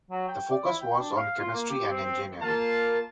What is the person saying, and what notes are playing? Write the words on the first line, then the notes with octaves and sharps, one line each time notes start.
The focus was on chemistry and engineering.
F#3
G5
D5
E4
G5
D4
F5
F4
A#3
G4
C4
C4
A#3 F4 F5 A5